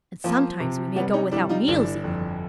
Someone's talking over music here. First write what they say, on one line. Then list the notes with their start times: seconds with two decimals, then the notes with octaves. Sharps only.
And sometimes we may go without meals, even.
0.24 F3 A#3 C4
0.60 C3
0.96 G3 B3 C#4
1.13 C#4 D#4
1.31 G3 D4 E4
1.49 D#4 F4
1.68 G1 D4 E4
2.04 F2